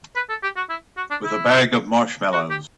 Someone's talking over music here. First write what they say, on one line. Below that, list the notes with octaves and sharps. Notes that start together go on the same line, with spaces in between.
With a bag of marshmallows.
B4
A4
G4
F#4
E4
F#4
D4
E4
F#4
G4